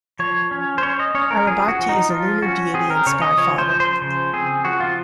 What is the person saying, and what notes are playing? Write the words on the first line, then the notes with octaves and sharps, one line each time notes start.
Arebati is a lunar deity and Sky Father.
F3 C#5
C#4
C5
C#4 C#5
D#5
C#4 C#5
A#4
F3 G#4
F#4
F3
D#4
F3 F4
C#4 F#4
C4 G#4
A#4
C#3 C#5
D#5
F3 C#5
C5
F3
C5
C#3 C5
C4 G#4
F3 F#4
F4